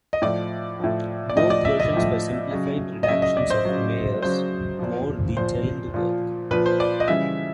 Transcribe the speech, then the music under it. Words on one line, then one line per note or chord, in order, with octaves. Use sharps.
Both versions were simplified redactions of Meyer's more detailed work.
D#5
A2 F3 D5
A2 F3
D5
A2 F3 D#5
D5
E5
D#5
A2 F3
C#3 F#3
D#5
C#3 F#3 E5
D#5
D5
C5
C#3 F#3
C#3 F#3 C5
A#2 F3
A#2 F3 C5
A#2 F3
A#2 F3 B4
C5
D5
D#5
C#3 E3 G3 E5